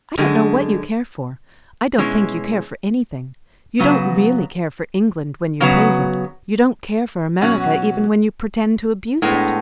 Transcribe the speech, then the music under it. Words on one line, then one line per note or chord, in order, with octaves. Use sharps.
"I don't know what you care for; I don't think you care for anything. You don't really care for England when you praise it; you don't care for America even when you pretend to abuse it."
F#2 D3 G#3
B2 G#3 C#4 E4
C#3 F#3 B3
C#3 F#3 B3
B2 F#3 C#4 F#4
A2 G#3 B3 D4